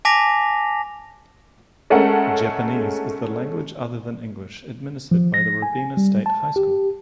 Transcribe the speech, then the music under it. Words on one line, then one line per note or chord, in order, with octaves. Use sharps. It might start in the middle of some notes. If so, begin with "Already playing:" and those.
Japanese is the Language Other Than English administered at Robina State High School.
G#5 A5 D6 A#6 B6 F7
G#3 A3 C#4 A4 A#4 F#5
F3
A#6
G#5
G3
A5
G4